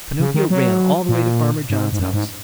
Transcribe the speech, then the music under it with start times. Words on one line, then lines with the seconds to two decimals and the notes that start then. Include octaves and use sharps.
Pinocchio ran all the way to Farmer John's house.
0.20 C#3
0.34 D#3
0.50 F#3
1.09 A#2
1.70 G#2
1.93 G#2
2.00 F#2
2.13 G#2